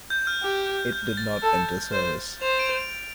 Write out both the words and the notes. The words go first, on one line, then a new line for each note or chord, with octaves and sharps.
It did not enter service.
G6
F6
G4
G6
A6
A4
C5
C5 F7
D7
F7
D7